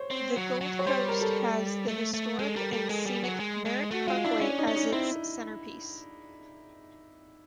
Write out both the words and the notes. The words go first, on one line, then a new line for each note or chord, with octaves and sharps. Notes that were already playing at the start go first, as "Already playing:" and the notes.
The Gold Coast has the historic and scenic Merritt Parkway as its centerpiece.
Already playing: C5 C#5
C4
F#3
F#3
C#5
G3 C5
A#4
A4
A3
A3
G#3 A4
G3 A#4
G3 A4
G#3 G#4
G3
F#3
G#3
G#3
A3 F#4
G#3 F4
D4 E4
C#4 D4
D#4
C#4
D#4
C4 E4